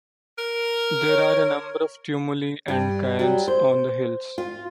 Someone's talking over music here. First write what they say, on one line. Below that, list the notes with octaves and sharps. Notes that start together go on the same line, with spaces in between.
There are a number of tumuli and cairns on the hills.
A#4
C#5
G2
F#3 G3
C5
F4